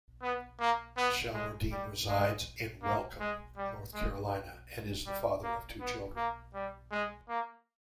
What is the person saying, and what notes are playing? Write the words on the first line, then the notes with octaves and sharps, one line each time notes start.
Shelmerdine resides in Welcome, North Carolina, and is the father of two children.
B3
A#3
B3
G#3
G3
G#3
A#3
G#3
G3
G#3
G3
A#3
B3
A#3
G3
G#3
A#3